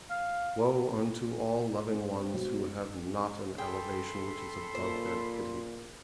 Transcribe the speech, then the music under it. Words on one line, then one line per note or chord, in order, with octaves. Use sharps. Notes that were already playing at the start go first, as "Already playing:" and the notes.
Woe unto all loving ones who have not an elevation which is above their pity!
F5
C4
B2 F#3 G#3
G#4 A4 G5 B5 C6
A#2 C5